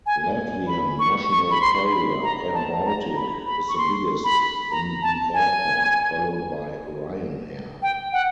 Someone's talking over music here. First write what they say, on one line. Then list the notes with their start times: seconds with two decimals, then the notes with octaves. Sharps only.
Latvian national carrier airBaltic is the biggest in the airport, followed by Ryanair.
0.06 G#5
0.67 B5
0.99 C#6
1.30 C#6
1.51 B5
1.61 C6
1.92 B5
2.23 A#5
2.54 A5
2.85 A#5
3.16 B5
3.47 B5
3.69 C#6
3.78 C6
4.24 B5
4.71 A#5
5.02 A5
5.34 G#5
7.82 G5
8.13 F#5